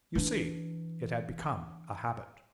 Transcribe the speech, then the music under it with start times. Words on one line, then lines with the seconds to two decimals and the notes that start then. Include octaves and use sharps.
You see, it had become a habit.
0.15 E3 D4